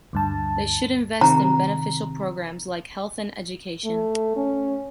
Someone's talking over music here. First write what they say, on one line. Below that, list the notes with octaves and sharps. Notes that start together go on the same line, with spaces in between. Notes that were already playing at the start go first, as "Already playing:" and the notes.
They should invest in beneficial programs like health and education.
D2 G2 A5
C3 D#3 A#5
A3
C#4